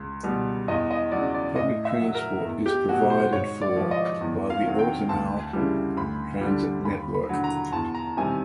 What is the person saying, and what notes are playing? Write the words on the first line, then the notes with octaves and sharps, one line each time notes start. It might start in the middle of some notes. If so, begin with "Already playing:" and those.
Public transport is provided for by the Ortenau transit network.
Already playing: C#2
B2 G3
E2 D#5
D#5
C#3 F#3 D5
D5
A2 D#5
E5
F#3
A#4
E2
G4
B2 F#3 F#4
C5
G#2 C#5
D5
F3
D#5
E2
F5
C3 D#3 F#3
G5
D2 A5
C#3 E3 G3
D2 B5
D3 G3
D#2 B5
B5
D3 F#3
A#5
E2 A5
A#5
C3 D#3 G3 G#5